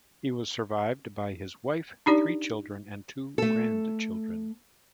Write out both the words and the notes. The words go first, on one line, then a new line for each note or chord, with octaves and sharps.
He was survived by his wife, three children, and two grandchildren.
D4 D#4 G4 D5
A3 A4